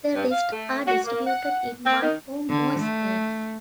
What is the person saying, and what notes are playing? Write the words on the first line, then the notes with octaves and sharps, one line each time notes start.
The rest are distributed in one or more states.
G2
F5
A3
F#4
A#3
F#5
C4
D#3
D3
A3